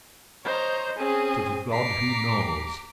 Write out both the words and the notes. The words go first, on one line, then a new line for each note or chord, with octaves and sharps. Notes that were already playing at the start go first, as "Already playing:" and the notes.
To the god who knows.
C5 C#5 D#5 A#5
C4 C#4 G#4 D#7
A#5 D6 B6 C7